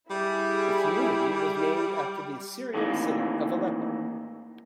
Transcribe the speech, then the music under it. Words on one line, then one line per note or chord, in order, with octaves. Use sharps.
The community was named after the Syrian city of Aleppo.
G3 E4 G#4
A2 D#3 E3 A#3